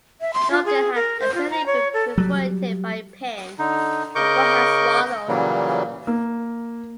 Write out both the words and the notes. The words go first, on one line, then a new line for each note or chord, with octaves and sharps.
The organ had apparently been perforated by a pin the boy had swallowed.
E5
C6
F4
G#4
A#4
C5
F4
A#5
C#5
A4
F#3 G3
D3 D#4
C#3 A#4 D#5 C#6 D6 G6
A#2 C#3 E3 F#3 G3 A#3
A#3